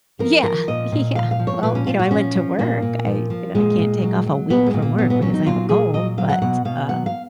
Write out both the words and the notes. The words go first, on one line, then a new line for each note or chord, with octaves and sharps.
Yeah, yeah. Well, you know, I went to work. I you know, I can't take off a week from work because I have a cold, but, um.
F3 A#4
F3 A#4
A#2 D#5
A#2
F3 F5
F5
F3
C#5
A#2 B4
C#4
A#2 F4
F#4
F3 C#4
F3
A#2 A#3
A#2
F3
F3
A#2 G#3
A#2
F#3
F#3
A#2 B3
G#3
A#2
A#3
F#3 B3
B3
F#3 C#4
D#4
A#2 F4
A#2 G#4
F#3 D#5
F#3 F5
F#5
B2 F#5
B2 F5
F#3 F#5
F5